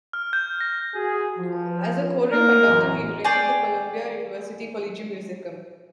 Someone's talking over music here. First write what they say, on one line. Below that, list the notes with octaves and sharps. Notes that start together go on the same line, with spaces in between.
As a choral conductor he directed the Columbia University Collegium Musicum.
F6
G6
A#6
F#4 G#4
F3
A#3 A#4
A1 F#2
G#4 C#5 D5 G5